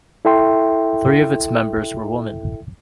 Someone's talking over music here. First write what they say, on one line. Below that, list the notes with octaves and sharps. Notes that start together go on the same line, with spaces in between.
Three of its members were women.
E4 A4 E5 G5 C6